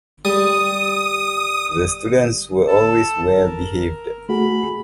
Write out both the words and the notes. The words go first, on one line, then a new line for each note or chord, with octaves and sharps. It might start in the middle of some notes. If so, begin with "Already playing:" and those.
The students were always well behaved.
G3 D#6
A4 A5
A#4
A3 F#4 G#4 B5